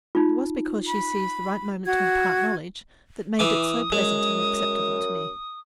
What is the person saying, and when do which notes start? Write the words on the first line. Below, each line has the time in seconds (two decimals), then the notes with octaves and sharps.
It was because she seized the right moment to impart knowledge that made it so pleasant and acceptable to me.
0.15 D#4 F4
0.87 B5
1.85 F#4 G#6
3.39 E3 G#5 D6 D#6
3.92 F#2 G#3